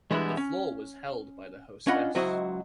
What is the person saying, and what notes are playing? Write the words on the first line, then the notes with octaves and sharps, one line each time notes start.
But the floor was held by the hostess.
E3 G3 G#3 B3 D4 E4
C#4
C#4 D4 F4 D#5 F#5 B5
C#2 F#3 E4 F#4 C5 D#5